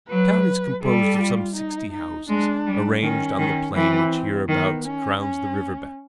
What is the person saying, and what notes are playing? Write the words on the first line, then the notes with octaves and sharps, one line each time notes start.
The town is composed of some sixty houses, arranged on the plain which hereabouts crowns the river-bank.
F#3 B4
G3 A4
F4
D#4
D#4
G#3 D4
G3
D#3 C#4
D#3
E3 C4
D#3 B3
C#4
C#4